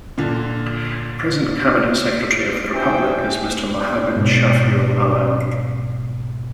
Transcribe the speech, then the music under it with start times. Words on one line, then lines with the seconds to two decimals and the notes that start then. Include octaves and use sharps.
Present Cabinet Secretary of the Republic is Mr. Mohammad Shafiul Alam.
0.18 A#2 D3
2.75 C#4 D#4 G4 C5 E5 G5 G#5
4.17 G#2 B2